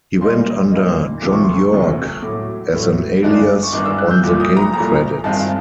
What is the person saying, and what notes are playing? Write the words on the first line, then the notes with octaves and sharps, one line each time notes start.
He went under "John York" as an alias on the game credits.
A#2 G3 A#3 D#4 C6
A#2 G3 A#3 D#4
E1 D2 C3 F3 A3 D6
C#6
C6
C#6
E1 D2 C3 F3 A3
A2 F#3 A3 D6
A2 F#3 A3
G2 D#3 G#3 B3 D4
C#6
G2 D#3 G#3 B3 D4 D6
E6
F#6
G6
C2 A#2 F3 A3 D6
D#6
A#5
C2 A#2 F3 A3 A#5
G2 D#3 G#3 C4 F4 A5